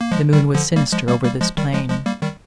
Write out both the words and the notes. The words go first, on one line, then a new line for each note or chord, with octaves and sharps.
The moon was sinister over this plain.
A#3
F3 G#3
D#3 G3
D3 F3
G3 A#3
F3 G#3
G3 A#3
G3 A#3
F3 G#3
D#3 G3
F3 G#3
F3 G#3
G3 A#3
D#3 G3